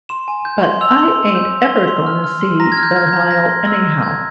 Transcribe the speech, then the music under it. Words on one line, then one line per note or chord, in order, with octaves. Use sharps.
But I ain't ever gonna see the Nile anyhow.
C6 E7
G#5
G6
C6
E6 F7
C6
C6
G6
G6 F7
G7
C6
F7
C6
F6
F6
C6
A#5 A#6
G#6
F6
G6
F6 G#6
G6
A#5
G#6
G6 A#6
C6
E6
C6
G6 G#6